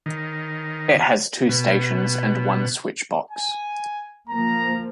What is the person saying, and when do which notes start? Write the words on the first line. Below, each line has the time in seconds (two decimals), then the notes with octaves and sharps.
It has two stations and one switchbox.
0.06 D#3
1.49 B2
3.31 G#5
4.29 F3 A#3 A#5